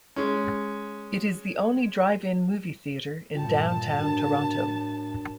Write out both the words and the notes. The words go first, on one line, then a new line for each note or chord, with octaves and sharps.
It is the only drive-in movie theatre in downtown Toronto.
G#3 C#4
G2 A#2 F4 G5 A5
A2 D4 F#4 A#4